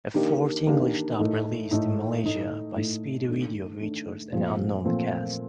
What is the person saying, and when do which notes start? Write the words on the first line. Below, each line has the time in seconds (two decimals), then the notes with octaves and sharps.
A fourth English dub released in Malaysia by Speedy Video features an unknown cast.
0.14 D#3 A#3 D4 G4 A#4
0.67 D#3 A#3 D4 G4 A#4
1.19 A2 A3 D#4
1.71 A2 A3 D#4
2.24 A2 A3 D#4
2.76 A2 A3 D#4
3.29 D#3 A3 D4
3.81 D#3 A3 D4
4.32 A#2 F3 A3 C4 F4
4.84 A#2 F3 A3 C4 F4